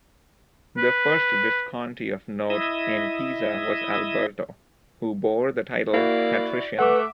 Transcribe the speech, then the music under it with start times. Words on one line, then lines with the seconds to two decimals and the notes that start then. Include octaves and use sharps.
The first Visconti of note in Pisa was Alberto, who bore the title patrician.
0.78 B4
2.50 E4 D#5 E5 D#6
5.94 A#3 E4 F#4 D5
6.79 A3 B4 E5 F#5 D6